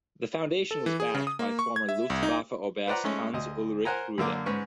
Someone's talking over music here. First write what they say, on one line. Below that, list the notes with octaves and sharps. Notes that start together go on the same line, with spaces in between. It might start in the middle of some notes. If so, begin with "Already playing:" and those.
The foundation was backed by former Luftwaffe Oberst Hans-Ulrich Rudel.
A4
E3
G#4
C#3
D#6
A#3
C#6
G#6
E5
C2
D#4
B4 C5 D5 F#5 A#5
G#3 A3 C#4
D2 D#5
A#4 C5 F#5 G#5 A#5
F#2 D3 A#3 D6
G#2 C#4 B4 C#6